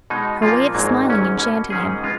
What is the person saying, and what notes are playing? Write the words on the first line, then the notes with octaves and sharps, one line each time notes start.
Her way of smiling enchanted him.
B2 G#3 D#4
A#2 F3 A#3 F4
G#1 G#2 F#3 A#3
G#1 G#2 F#3 C#4
B2 A#3 C#4
G#2 D#3 F#3 C#4 G#4
G#3 B3 F4